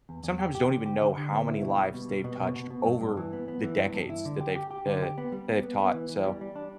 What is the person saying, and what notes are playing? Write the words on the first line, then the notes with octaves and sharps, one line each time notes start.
sometimes don't even know how many lives they've touched over the decades that they've eh, that they've taught. So,
E2
E2
G4
G4
D3
G4
D3
D3
B3
E4
B2
G3
B2
G3
B2
B2
B2
B2
G2
G2
E3
B3
B3
E3
G2
G2
E4
D3
G4
G4
G4
D3
G4
B3
G3
B3
B3
B3
E3
E3
G3
G3
D4